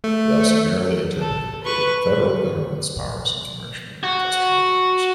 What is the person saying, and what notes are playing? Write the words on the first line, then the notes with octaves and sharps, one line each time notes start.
They also narrowly interpreted the Federal government's powers in commercial and industrial matters.
A3
A4
B4 C#6
F#4